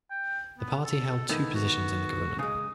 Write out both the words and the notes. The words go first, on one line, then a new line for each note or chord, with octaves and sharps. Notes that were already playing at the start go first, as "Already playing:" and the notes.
The party held two positions in the government.
G5
B3
A4
D#3 A3 B3 E4
F#4
C#3 G#3 D#6